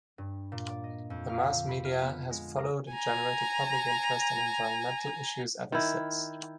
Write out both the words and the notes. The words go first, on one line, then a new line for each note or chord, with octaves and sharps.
The mass media has followed and generated public interest on environmental issues ever since.
G2
A#2
D5
D#5
F2
F5
D3
B5
F6
B3
G#3
A#4
G#5 A#5
D#3 E4